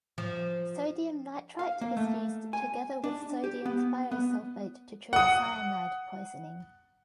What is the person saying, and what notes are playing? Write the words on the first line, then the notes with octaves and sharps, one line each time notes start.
Sodium nitrite is used together with sodium thiosulfate to treat cyanide poisoning.
F3
F5
A#3
A3
G#5
D4
G4
B3
B3
F#5 D#6